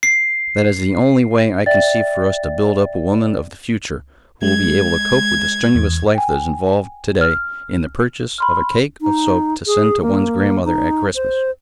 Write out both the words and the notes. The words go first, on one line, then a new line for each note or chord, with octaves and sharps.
That is the only way I can see for us to build up a woman of the future who will be able to cope with the strenuous life that is involved to-day in the purchase of a cake of soap to send to one's grandmother at Christmas.
C7
D5 E5 G5 A6
G#3 G#6
E2
G5 G#5
F6
B5 C6 F6
D#4
G#4
A#3
D#4
C5